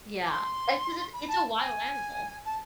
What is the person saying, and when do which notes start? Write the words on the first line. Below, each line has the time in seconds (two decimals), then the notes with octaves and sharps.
Yeah. Eh, because it it's a wild animal.
0.25 D6
0.29 C6
1.13 B5
1.28 A5
1.57 A5
1.61 G#5
2.45 A5